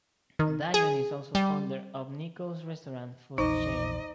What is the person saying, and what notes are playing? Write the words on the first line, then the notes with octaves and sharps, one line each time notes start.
Dion is also founder of Nickels Restaurant food chain.
D#3
G#4
G3
A#1 E2 D#4 C5 D#5 A#5 D6